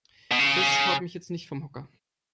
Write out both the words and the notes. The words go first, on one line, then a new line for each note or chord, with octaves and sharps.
Das haut mich jetzt nicht vom Hocker.
B2
C#3